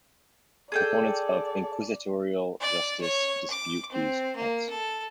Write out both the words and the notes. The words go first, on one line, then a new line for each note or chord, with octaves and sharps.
Proponents of inquisitorial justice dispute these points.
G#4 A4 D5 G5
D5
C#5
D6
C4
A#3
A4